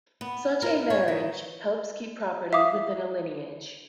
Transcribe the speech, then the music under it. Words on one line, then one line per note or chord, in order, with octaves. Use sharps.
Such a marriage helps keep property within a lineage.
B3
A#4
C#5
D#3
E5 F5 D6 D#6